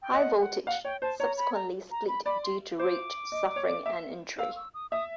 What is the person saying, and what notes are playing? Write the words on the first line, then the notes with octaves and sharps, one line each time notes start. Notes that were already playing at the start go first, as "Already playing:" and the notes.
High Voltage subsequently split due to Rage suffering an injury.
G5
D#5 F#5
F#5
F5 F#5
C#5 G5
C5 A5
C#5 A#5
B5
A#5
A#5
B5
D5 B5
C6
C5 D6
D#5
D5
C#5
D5
E5
F5 E6
E6
D#6
E5 D#6